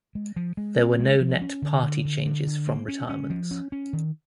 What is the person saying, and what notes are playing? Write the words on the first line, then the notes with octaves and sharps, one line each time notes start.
There were no net party changes from retirements.
G#3
F3
G#3
C4
G#3
F3
C#4
D3
D3
D3
D3
D3
A#3
C#4
C#4
F3
C#4
C#4
D#3